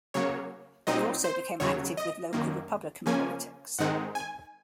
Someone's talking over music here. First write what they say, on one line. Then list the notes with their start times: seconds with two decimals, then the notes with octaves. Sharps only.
He also became active with local Republican politics.
0.14 C#3 F#3 A#3 C#5
0.87 A#2 F#3 C4 D#4 D#5
1.24 C5
1.60 D#2 C#3 F#3 C#5
1.97 D#5
2.33 F#2 D#3 A#3
3.06 C#3 F3 A#3 C#4 G#5
3.79 G#2 D#3 G#3 C4 D#4 F#5
4.15 G#5